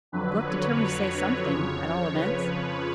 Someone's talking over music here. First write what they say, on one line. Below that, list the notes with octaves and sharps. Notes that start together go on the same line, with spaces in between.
Gluck determined to say something at all events.
F2 D3 F#3 B4
C#5
C#5
F2 C#3 F3
B4